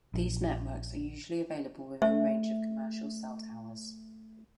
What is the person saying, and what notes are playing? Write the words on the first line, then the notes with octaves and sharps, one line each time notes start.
These networks are usually available within range of commercial cell towers.
A#1
A3 E5